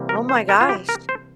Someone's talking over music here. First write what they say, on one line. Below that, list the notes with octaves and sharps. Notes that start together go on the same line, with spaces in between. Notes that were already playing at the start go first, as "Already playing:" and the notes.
Oh my gosh.
Already playing: C3 E3 G3 A#3
A#4
C5
A#4
F4
G4
A#4
C5